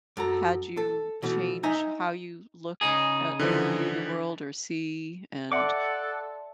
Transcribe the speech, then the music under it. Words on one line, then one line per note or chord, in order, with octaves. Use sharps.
had you change how you look at or, view the world, or see, and
F#2 A4 A#5
A4
B2 E3 A3
D#4 E5 G#5 A#5
C#3 D#4 G#4
D3 E3 F3
A4 D5 E5 F#5 C6 D6